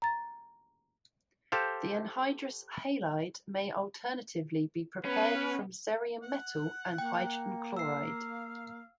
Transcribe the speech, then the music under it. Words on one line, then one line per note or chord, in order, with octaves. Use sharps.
The anhydrous halide may alternatively be prepared from cerium metal and hydrogen chloride.
A#5 A6
G4 A4 C5 F5
B3 C#4 B4
F#5
A#3 G5
F5 E6 C7